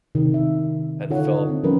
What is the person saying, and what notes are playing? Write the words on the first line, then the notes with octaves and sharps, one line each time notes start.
had to fill
C3 D#3 D#4
E5
D3 D#4 F4 A4 C#5 F#5
D#5
C4
F3 G3 C#4 A#4 B4